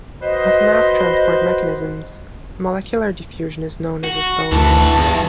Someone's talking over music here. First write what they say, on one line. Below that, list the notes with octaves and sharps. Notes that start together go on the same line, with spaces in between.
Of mass transport mechanisms, molecular diffusion is known as a slower one.
F#4 B4 C5 D#5
F#4
D2 E3 F#4 A5
E2 G2